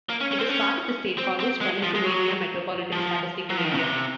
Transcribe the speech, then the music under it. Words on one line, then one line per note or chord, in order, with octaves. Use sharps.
It is part of the State College, Pennsylvania Metropolitan Statistical Area.
A#3
C#4
C#4
C4
C#4
C4
C4
G#3
F3
G#3
F#3
F3
F#3
F3
D#3
C#3
C3